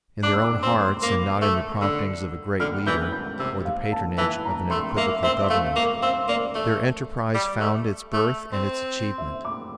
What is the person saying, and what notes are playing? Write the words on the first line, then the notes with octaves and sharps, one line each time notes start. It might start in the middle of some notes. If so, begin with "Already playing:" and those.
In their own hearts, and not in the promptings of a great leader or the patronage of an equivocal government, their enterprise found its birth and its achievement.
D4 D6
E6
D6
C4 C6
C6
A#3 D6
A3
D3 E6
D3 F6
E3 G6
G6
C3 E6
F5
A5
E3 A5
A#5
A3 C6
A#3 E5
C4 E5
A3 F5
A#3 F5
C4 F5
A#3 D5
A3 E5
G3
A3
A3
C4
E5
D6